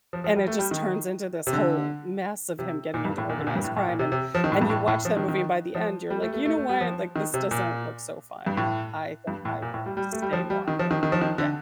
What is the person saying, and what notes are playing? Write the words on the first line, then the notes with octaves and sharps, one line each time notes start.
and it just turns into this whole mess of him getting into organized crime and and you watch that movie and by the end you're like, "You know what, like, this doesn't look so fun. I think I will stay normal." Yeah.
F3
F3
G3
A3
G3
D#3
C3
D3
C3
A#2
G2
A2
A#2
D3
A#2
G2
A2
A2
A#2
C3
C3
F3
D#3
A2
G2
A2
A2
F3
D#3
D#3
F3
G3
A3
A3
A3
A3
G3
F3
D#3
C3
A#2
G2
A2
G2
A2
A#2
A2
G3
G3
A3
G3
F3
G3
D#3
F3
D#3
D#3
F3
D#3
D3